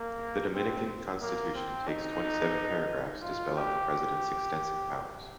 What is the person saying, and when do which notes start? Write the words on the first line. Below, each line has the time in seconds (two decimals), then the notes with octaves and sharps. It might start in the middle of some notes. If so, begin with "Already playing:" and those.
The Dominican Constitution takes twenty-seven paragraphs to spell out the president's extensive powers.
Already playing: A#3
0.54 C4
1.21 A#3
1.55 C4
1.88 D#4
3.21 F4
3.55 G4